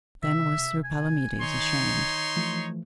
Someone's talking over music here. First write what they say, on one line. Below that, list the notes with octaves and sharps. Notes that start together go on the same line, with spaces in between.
Then was Sir Palomides ashamed.
C3 E5
G#5
D#3 D#4 C#5 C6
E3 F3 A3